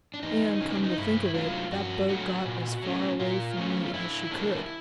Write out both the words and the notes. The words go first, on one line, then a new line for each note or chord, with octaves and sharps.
"And, come to think of it, that boat got as far away from me as she could."
D4
E2 D#4
C#3 E3
D4
D#4
G2 E4
D3 F#3 A3 F4
G2 F#4
D3 F#3 A3 F#4
A#2
F#3 A3 C#4
A#2 F4
F#3 A3 C#4
F4
D3 E4
G3 A#3 D4